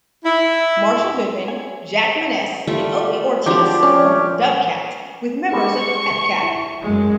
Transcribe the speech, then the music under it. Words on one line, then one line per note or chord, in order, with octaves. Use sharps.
Marshall Goodman, Jack Maness and Opie Ortiz formed Dubcat, with members of Hepcat.
E4
G#5
G3 A3 F4
D#3 F3 F#3 G#3 C4 D4 G4
C#4 D5
G3 G#3 B4 C#6
E4
F#2 G#3